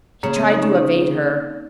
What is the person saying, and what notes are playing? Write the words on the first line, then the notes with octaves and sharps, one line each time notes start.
He tried to evade her.
C#3 A#3
C4
D#4
C#4
D#4